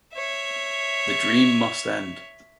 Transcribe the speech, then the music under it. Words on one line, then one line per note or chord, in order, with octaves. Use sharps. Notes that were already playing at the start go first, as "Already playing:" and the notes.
The dream must end.
C#5 E5